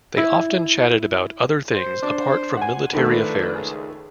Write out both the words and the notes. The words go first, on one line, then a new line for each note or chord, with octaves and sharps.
They often chatted about other things apart from military affairs.
E4
C5
D4
F#5 G#5
D#3 F3 A3 D4 B4
C#2 G#4